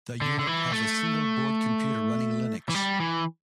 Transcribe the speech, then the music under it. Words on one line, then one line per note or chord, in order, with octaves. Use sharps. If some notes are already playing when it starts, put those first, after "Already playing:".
The unit has a single-board computer running Linux.
D3
D3
E3
A3
E3
G3
E3